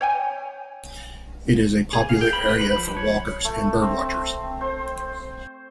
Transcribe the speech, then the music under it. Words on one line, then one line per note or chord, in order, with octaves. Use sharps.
It is a popular area for walkers and bird-watchers.
C#5 G5 G#5
G#4
F5
G5
B5
B4
B5
F3
C#5
A3
C4
C5